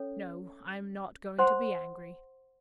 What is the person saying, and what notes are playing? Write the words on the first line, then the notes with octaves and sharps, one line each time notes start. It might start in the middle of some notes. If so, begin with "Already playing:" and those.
No, I am not going to be angry.
Already playing: C#4 A4 C#5
C5 F#5 C6